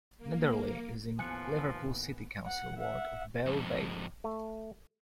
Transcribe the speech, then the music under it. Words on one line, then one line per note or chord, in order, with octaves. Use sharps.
Netherley is in Liverpool City Council ward of Belle Vale.
A#3
A1 D#2 A2 F3 B3 G#5 F#6 C#7
F#5
E5 F#5
F2 G#2
A3